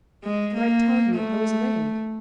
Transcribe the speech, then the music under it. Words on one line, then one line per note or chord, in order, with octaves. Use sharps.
"But I tell you I was lame."
G#3
A#3
A3